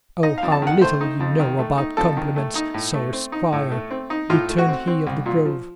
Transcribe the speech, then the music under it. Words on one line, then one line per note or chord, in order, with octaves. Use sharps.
"O how little you know about compliments, sir squire," returned he of the Grove.
D#4 D#5
F5
F2
A5
D#3 F#5
A3 C5
D#4
F2
D#3
A3
D#4
F2 A4
D#3
A3
D#4
A2
A3
C4
D#4
A2
A3
C4
D#4
A2 F4
A3
F#4
C4
C4
C2
A#2
F3